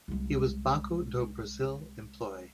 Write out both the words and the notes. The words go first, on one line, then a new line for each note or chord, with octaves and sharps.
He was Banco do Brasil employee.
C2 G#3